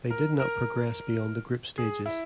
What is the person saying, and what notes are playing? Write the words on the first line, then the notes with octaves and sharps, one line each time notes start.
They did not progress beyond the group stages.
A#4
A#4
G#4
E4